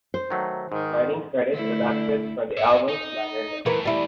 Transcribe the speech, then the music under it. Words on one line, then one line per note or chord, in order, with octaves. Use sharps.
Writing credits adapted from the album's liner notes.
C5
D#3 F#3 A3
G#2 D#3
D3 A3 E4
C#5 E5
D#4
E2 E3 A3 A#4
G3 E4